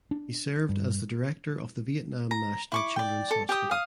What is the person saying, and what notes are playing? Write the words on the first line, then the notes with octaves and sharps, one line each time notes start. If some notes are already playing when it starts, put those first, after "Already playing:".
He served as the director of the Vietnam National Children’s Hospital.
D4
G2
A#5
E4 C#6 D6
D5 G5
A4
G4 G5 D#6
F5 D#6